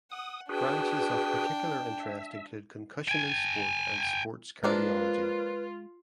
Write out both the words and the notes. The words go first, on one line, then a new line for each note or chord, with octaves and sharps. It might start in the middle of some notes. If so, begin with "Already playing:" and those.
Branches of particular interest include concussion in sport and sports cardiology.
F#5 D#6
D4 F#4 G#4 B4 G5
E5
G5 G#5
F3 G#3 A#3 D4 F4 B4